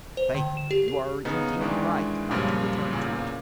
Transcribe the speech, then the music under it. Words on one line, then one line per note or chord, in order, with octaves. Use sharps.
Faith, you are indeed right not to return to it.
C5
D3
E7
G4
G4
C#3 B3 D#4
G#2 D#3 E3 G#3 D4
F#2 A#2 C#3 F3 G3
E2 A#2 C#3